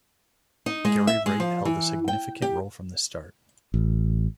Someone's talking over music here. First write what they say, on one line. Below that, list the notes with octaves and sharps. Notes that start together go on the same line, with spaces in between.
Gary Wright held a significant role from the start.
D#4
G#3
E5
G#3
F3
E3
G5
G4
A1